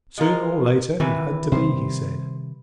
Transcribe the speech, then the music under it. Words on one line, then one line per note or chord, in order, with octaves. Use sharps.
"Sooner or later it had to be," he said.
G#3 F4 A#4
C3 D#3 E3 B4
C3 D#3 G3 C5